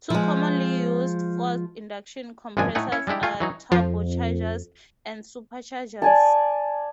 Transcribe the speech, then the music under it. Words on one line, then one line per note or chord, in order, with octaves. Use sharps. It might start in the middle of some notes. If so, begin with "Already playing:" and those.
Two commonly used forced-induction compressors are turbochargers and superchargers.
F3 G#3
G#1 F#2 A#2 G#3 D4 G#5
A2 A3 D#4 F#5 G#5
C#4 E4 C#5
G3 G#3 D4 E4 G4
A3 F4 F5 G#5
E3 F#3 D#4
F2 F3
D5 G#5 A5